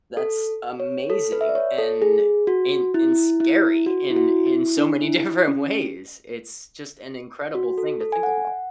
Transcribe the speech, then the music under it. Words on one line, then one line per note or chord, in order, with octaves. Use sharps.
That's amazing and and and scary in in so many different ways. It's just an incredible thing to think about.
A4
C#5
A4
B4
E5
D5
C#5
A4
G#4
F#4
E4
E4
F#4
E4
F#4
E4
D4
E4
C#4
F#4
A4
A4
G#5
F#5